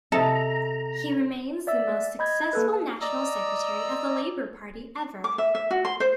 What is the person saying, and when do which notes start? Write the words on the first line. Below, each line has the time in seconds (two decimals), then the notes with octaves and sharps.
He remains the most successful National Secretary of the Labor Party ever.
0.12 C3 A4 D#5 E5 A#5
1.67 D5 E5 E6
2.19 D#5 B5 G6 G#6
2.53 A#3 A4 B4
3.01 D5 D#5 A#5 E6
5.24 D6
5.38 E5
5.55 E5
5.71 F#4
5.85 C6
6.00 C5